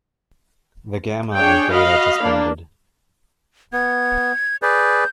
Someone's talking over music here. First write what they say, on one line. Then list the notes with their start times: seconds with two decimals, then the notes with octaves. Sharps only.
The Gamma and Theta disbanded.
1.36 D4 G#4 C#5 G5
1.71 F#4 D#5 F5 B5
2.22 A#3 D4
3.73 B3 G#6
4.62 G#4 B4 D5 G6